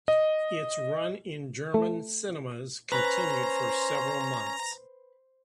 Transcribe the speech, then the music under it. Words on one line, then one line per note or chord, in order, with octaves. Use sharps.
Its run in German cinemas continued for several months.
D#5
A3
C#4 B4 C5 A#5